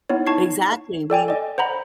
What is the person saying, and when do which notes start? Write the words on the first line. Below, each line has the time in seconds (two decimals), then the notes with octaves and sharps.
Exactly, we
0.10 B3 D#4 E4 C#5
0.27 D#4 E4 A5 C#6 G#6 C7
1.10 A4 D5 G5 G#5
1.28 D5 D#5
1.58 C5 F#5 A#5 B5